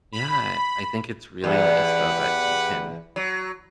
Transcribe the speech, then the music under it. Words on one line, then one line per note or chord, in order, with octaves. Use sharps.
Yeah. I think it's really nice though that you can
B5
E2 G4 B4 F#5
F#3